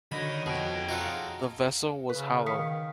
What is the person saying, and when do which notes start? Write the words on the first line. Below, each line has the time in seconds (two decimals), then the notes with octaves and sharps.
The vessel was hollow.
0.12 D3 D#3 F#4 C#5 D#5 B5
0.46 F2 B2 G#4 G5
0.89 D#4 F4 F#4 A4
2.09 C#3 B4
2.46 D#3 F5 D#6 B6 C#7